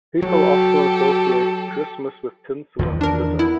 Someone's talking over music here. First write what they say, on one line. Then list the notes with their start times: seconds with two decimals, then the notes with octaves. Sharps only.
People often associate Christmas with tinsel and glitter.
0.22 F#3 F#4 G4 A4
2.79 E2 D#3 F3
3.01 D4 A#4
3.39 B3 E4